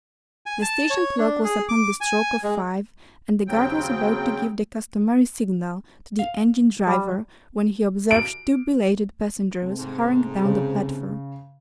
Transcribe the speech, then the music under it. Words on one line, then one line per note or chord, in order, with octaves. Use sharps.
The station clock was upon the stroke of five, and the guard was about to give the customary signal to the engine-driver when he observed two belated passengers hurrying down the platform.
G#5
A5
C#5
D4
G#4
D6
G#5
G#3
D#2 C#3 F#3 C4 G5
F5
G3
D7
C3 A3 C4
G#2
C#3